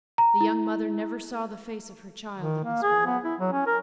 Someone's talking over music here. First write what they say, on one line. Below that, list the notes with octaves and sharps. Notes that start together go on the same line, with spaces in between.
The young mother never saw the face of her child in this world.
A#5
E4
D#3
A#3
G#4
B3
E4
F#3
C#4
A#4